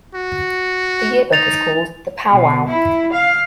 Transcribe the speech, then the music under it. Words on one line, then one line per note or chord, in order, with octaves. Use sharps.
The yearbook is called the "Powwow".
F#4
D#4 A6 F7
B2
E4
F5